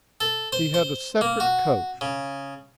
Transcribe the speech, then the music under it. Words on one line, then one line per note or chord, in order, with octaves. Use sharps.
He had a separate coach.
A4
C5
C5
A#3
F#4
C#3